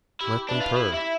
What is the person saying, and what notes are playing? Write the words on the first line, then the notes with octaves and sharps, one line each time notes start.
Let them purr.
E4 G4
D4 B4 E5
F4
E4 G4
E4
E5